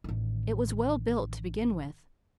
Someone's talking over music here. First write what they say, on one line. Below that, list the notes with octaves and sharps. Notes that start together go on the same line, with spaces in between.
It was well built to begin with.
A1 D#3